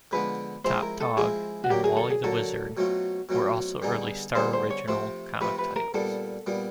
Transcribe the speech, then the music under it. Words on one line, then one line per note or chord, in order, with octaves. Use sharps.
"Top Dog" and "Wally the Wizard" were also early Star original comic titles.
D3 F3 G#3 B3 D4 B4
F3 G#3 C4 E4 C5
A#4
A4
F3 G#3 C4 E4 G#4
F#4
D3 F#3 A#3 G4
G#4
A4
G#4
D3 F#3 A#3 A4
B2 F#3 A3 C4 F4
B2 F#3 A3 C4 F4
D3 G3 B3 D#4 G#4
D3 G3 B3 D#4 G#4 C5
C5
C#5
C3 F3 A3 C4 C5
C3 F3 A3 C4 B4
B4
A#4
A#2 G3 B3 A4
A#2 G3 B3